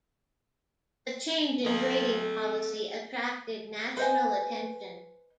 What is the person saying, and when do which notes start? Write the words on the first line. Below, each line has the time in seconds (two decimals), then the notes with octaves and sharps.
The change in grading policy attracted national attention.
1.66 A4 D#5
3.97 B4 C5 D#5 G#5